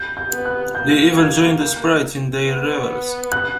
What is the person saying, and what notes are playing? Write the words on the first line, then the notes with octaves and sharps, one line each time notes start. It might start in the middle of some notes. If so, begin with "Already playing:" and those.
They even joined the sprites in their revels.
Already playing: G6
G6
B3
F#6
A#3 G6
G#6
G6
B3
F#6